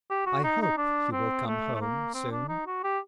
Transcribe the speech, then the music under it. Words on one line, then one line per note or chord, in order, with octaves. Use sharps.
I hope you will come home soon.
G4
F#4
D#4
D#4
D4
C4
A3
A3
A#3
C4
D4
D#4
F#4
G4